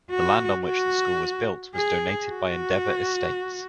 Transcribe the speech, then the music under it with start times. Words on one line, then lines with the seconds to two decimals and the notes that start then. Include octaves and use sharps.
The land on which the school was built was donated by Endeavour estates.
0.10 F#4
0.65 F#4
1.75 G#4
2.30 F#4